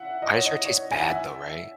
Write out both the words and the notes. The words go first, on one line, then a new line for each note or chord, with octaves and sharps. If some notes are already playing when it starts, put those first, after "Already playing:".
I sure it tastes bad, though, right?
Already playing: E5 F#5
D#5
C#5
D#5
C#5
G#5
F#5
E5